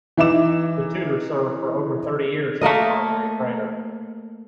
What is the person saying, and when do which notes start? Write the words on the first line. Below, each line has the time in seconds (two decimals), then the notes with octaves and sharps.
The Tutor served for over thirty years as a primary trainer.
0.17 E3 D#4 E5 D6 E7
2.61 A3 A#3 A#4 D#5